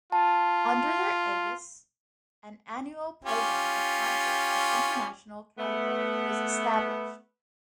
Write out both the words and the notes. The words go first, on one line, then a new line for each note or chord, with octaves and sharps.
Under their aegis an annual programme of concerts of international calibre was established.
F4 A5
C#4 F4 G4
A3 B3